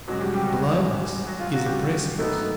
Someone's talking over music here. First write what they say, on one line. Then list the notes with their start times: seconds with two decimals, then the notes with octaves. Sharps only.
Blindness is a precipice.
0.08 E2 B2 F#3 G#3 C#4 F#4
0.21 G3 G4
0.34 G3 G4
0.47 F#3 F#4
1.26 F#3 F#4
1.39 F4
1.53 F#3 F#4
1.66 G3 G4
2.19 G#2 D#3 F#3 A3 B3 D#4 A4